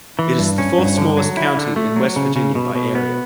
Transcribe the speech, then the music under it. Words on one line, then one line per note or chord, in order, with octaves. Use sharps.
It is the fourth-smallest county in West Virginia by area.
E3
G2
C#4
G2
D3
F#3
E4
D3
A3
F#3
C#3
C#3
B2
B2
B3